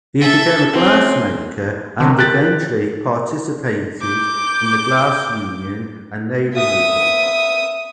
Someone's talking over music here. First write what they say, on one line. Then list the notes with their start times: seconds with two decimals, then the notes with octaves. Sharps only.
He became a glassmaker and eventually participated in the glass union and labor movement.
0.21 A4 E5
0.72 C4 C#4
2.00 D3 D#3 F#3
2.19 G4 F#6 A6
4.01 D6 G6
6.54 E5 D#6